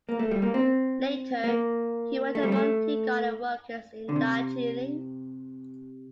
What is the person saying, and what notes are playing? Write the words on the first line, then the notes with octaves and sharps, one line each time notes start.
Later he worked among tea garden workers in Darjeeling.
A#3
A3
G3
A#3
C4
A#3
A3
G3
A3
D3
C3